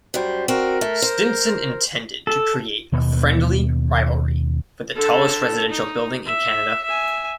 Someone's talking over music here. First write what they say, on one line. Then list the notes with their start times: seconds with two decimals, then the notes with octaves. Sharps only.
Stinson intended to create a friendly rivalry for the tallest residential building in Canada.
0.14 F#2 G3 C5
0.48 C4 F#4 A#4
0.81 A3
1.02 C5
2.27 A4
2.92 D#2 B2 B3
4.95 D3 A4
5.70 D#4
6.26 E5
6.85 E5 G#5